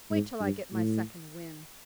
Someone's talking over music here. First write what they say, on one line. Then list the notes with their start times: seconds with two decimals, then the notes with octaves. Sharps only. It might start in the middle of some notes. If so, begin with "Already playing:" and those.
"Wait till I get my second wind."
0.10 G#2
0.41 G2
0.73 A2